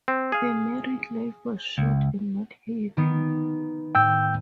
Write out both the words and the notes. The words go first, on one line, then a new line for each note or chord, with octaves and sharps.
The married life was short and not happy.
C4
G#4 F5
C#2
D#3 B3
A2 G5 E6 G6